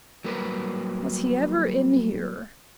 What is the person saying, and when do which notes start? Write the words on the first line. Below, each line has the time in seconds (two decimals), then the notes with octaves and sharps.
"Was he ever in here?"
0.24 F#3 G3 A#3 A#4 B4